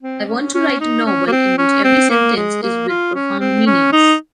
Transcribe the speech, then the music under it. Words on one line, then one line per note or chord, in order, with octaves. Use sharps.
I want to write a novel in which every sentence is with profound meanings.
C4
C#4
C#4
D#4
C#4
A#3
C4
C#4
C4
A#3
G#3
A#3
F4
C#4
C4
C#4
D#4